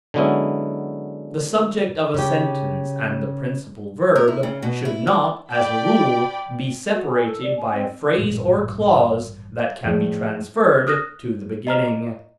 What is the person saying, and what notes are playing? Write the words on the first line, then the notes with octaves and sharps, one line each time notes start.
The subject of a sentence and the principal verb should not, as a rule, be separated by a phrase or clause that can be transferred to the beginning.
D3 F#3 G#3 B3 C#4 E4
C#3 G4
A#4
E4
C#3
B2
E4
D5
D5 G5 B5
F#4
G#5
A4
D5
G#5
C4
A1 G2 A#2 G3
A2 F3 G#4 D5
D#6 F6 F#6 A#6
D#5 A#5 F6